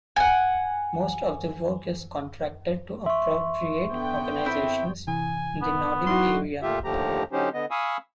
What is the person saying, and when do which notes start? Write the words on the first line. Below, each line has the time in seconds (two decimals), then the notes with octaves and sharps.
Most of the work is contracted to appropriate organisations in the Nordic area.
0.16 F#5 G#5
3.06 E5 C6 C#6
3.91 D3 B3 G5
4.45 C4 E4
5.08 C3 E3 G#5
5.62 B3
6.07 F#3 D#4 E4 F#4 C6
6.62 A#2 A3 F4 G4 E5
6.84 D#2 D3 F3 A3 G4 A#5
7.32 D3 F#3 C#4 D#4 G4 C5
7.54 D3 B3 D#5
7.71 F5 G#5 B5 C#6 D#6 E6